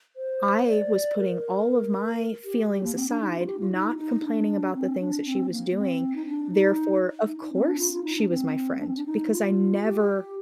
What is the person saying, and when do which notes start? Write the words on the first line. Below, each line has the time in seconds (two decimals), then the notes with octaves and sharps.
I was putting all of my feelings aside, not complaining about the things that she was doing. Therefore, of course, she was my friend because I never
0.16 C5
0.67 D5
1.18 A#4
2.45 G4
2.70 G4
2.84 A#3
2.95 C4
3.08 D4
3.21 D#4
3.34 F4
3.46 G4
3.60 F4
3.73 D#4
3.97 D#4
4.23 D4
4.74 C4
4.99 D4
5.25 C4
5.50 A#3
5.75 C4
6.16 D#4
6.27 D4
6.52 D#4
7.27 D#4
7.40 D#4
7.53 C4
7.66 D4
7.79 F4
7.92 F4
8.04 D#4
8.17 D4
8.29 C4
8.80 D4
8.88 C4
8.96 D4
9.06 D#4
9.31 F4
9.82 G4